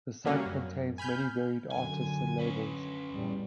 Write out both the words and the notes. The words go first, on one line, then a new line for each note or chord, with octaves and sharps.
The site contains many varied artists and labels.
C#3 G3 A3 A#3 C#4 F#4
F#2
G#5 B5 F6 G6
F#2 D3 G#5
C#4 B4
E2 A2 G3